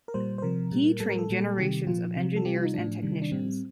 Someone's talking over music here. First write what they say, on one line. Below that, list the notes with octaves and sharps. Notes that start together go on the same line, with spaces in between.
He trained generations of engineers and technicians.
A#4
A#2 G3 C5
C5
C3 F3 A#4
A#2 G3
A2 G3 A4
A#4
A4
A#2 G3
C3 D#3 G3 G4
A#2 F3 F4
C3 F3
A4
C3 G3 G4
F4
D#4
A2 F3 D4
C3 D#3 G3
D4
A2 G3 C4